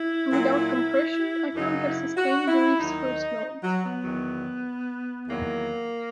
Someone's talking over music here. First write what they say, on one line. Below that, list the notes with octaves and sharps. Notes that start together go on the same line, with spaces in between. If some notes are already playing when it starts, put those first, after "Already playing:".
Without compression, I couldn't have sustained the riff's first note.
Already playing: E4
A#2 F#3
F#2 C#3 F#3 D#4
E4
F#4
E4
D#2 D#3 F#3 D#4
F#3
B3
E2 D#3 F#3
E2 D#3 F#3 A#3